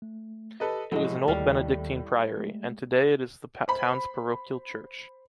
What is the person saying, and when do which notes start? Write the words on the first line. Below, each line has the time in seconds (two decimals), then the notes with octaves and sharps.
It was an old Benedictine priory, and today it is the town’s parochial church.
0.02 A3
0.60 G4 A4 B4 D#5
0.92 A2 F3 F#3 G#3
1.28 D#2 D#3 G3 F5
2.37 G#3 A3
3.68 C5 B5